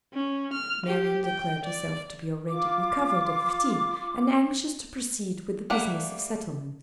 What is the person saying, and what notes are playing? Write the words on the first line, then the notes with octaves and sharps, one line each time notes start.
Marian declared herself to be already recovered of fatigue, and anxious to proceed with the business of settlement.
C#4
F6
G4
G5
D5
F4 D6
G3 A3 A#3 F#5